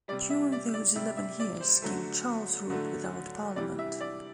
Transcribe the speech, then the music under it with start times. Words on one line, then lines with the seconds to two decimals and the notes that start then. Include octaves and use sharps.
During those eleven years, King Charles ruled without parliament.
0.08 G3 D5
0.12 C3
0.30 E5
0.52 D5
0.74 D5
0.96 C3 G3 E5
1.17 E5
1.40 D5
1.60 C5
1.82 D3 F#3 A3
2.70 D3 F#3 A3
3.56 C3 E3 G3 D5
3.79 E5
4.01 D5